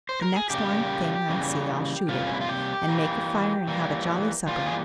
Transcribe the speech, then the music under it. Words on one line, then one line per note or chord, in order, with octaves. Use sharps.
The next live thing I see I'll shoot it, and make a fire and have a jolly supper.
C5
A#4
G#4
C#3 G3 A#3 G4
C#3 E3 G3 A#3
C3 G3 A#3 F4
C#4
E4
F4
G4
E3 A#3
E3 G3 A#3
E3 G3 A#3 F4
G#4